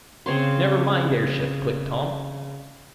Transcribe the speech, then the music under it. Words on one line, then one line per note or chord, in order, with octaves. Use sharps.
"NEVER MIND AIRSHIP," clicked Tom.
C#3 C4 C#5 C6